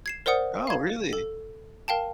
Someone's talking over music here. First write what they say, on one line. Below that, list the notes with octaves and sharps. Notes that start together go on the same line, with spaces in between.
Oh, really?
G#6 C7 E7
A#4 C5 D5 F#5 D#6 C#7
F5 G#6
A4
A#4 F5 G5 A5